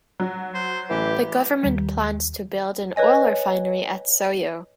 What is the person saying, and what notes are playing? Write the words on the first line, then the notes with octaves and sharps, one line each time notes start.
The government plans to build an oil refinery at Soyo.
F#3
C5
A1 E3 G4
D#2 G3
B4 C#5 D#5 G#5